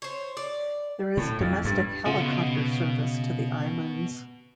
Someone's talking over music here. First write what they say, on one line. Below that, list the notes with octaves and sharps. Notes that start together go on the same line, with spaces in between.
There is domestic helicopter service to the islands.
C5 C#5
D5
A2
F2
G2
C#3 F4 F#5 C6
B2